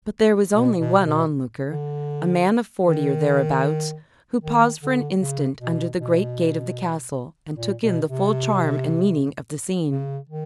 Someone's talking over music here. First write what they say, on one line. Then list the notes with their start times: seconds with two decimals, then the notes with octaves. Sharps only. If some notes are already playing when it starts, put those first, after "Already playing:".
But there was only one onlooker, a man of forty, or thereabouts, who paused for an instant under the great gate of the castle and took in the full charm and meaning of the scene.
0.54 B2
0.79 B2
0.99 C3
1.05 B2
1.70 D3
2.87 D#3
4.44 D#3
4.83 D3
5.21 C#3
5.61 B2
6.00 B2
7.56 A#2
7.82 B2
8.08 C3
9.91 C#3
10.29 D#3